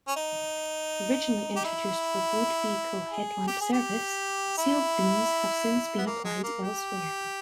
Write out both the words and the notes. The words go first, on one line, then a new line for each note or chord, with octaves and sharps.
Originally introduced for road vehicle headlamp service, sealed beams have since been applied elsewhere.
C#4
D#4
G4
E4
G#4
G4
G#4
G4
E4
B3
A#3
G#3
A#3
G4